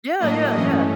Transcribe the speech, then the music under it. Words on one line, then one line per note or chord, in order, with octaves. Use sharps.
Yeah, yeah, yeah.
A2 F#3 A#3 D4 D#5
G2 E3 A3 C#4 D#5